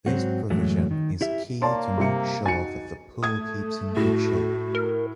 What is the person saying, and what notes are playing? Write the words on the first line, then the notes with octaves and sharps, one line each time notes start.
This prevision is key to make sure that the pool keeps in good shape.
G#2 F#3 C4 F#4
F#2 A2 E3 F#3 G#3 A3
D#3
E4 G4 E5
A#3 C#5 D5 A5 C6
C3 G3 E5 C#7
D#4 F#4 G#5 A6 C#7
A3 D#6 G#6
A2 F#4
A#4